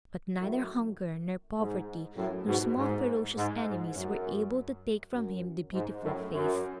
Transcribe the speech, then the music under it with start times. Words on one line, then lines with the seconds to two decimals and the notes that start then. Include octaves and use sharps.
But neither hunger, nor poverty, nor small ferocious enemies were able to take from him the beautiful face.
0.39 F#2 A2
1.58 G#2
2.16 F#2 A2
2.46 G#2 B2
2.76 G#2
3.36 G#2
3.66 G#2
3.94 F#2
5.13 F#2
5.73 G#2
6.03 F#2 A2
6.32 F#2